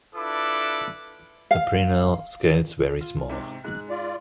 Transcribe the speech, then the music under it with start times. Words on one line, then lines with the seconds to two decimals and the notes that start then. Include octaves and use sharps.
The preanal scales very small.
0.14 D4 E4 F4 A4 B4 D6
1.51 F5
3.01 F4
3.30 G#2 C3
3.65 G#2 G#3 F#6
3.89 F4 D5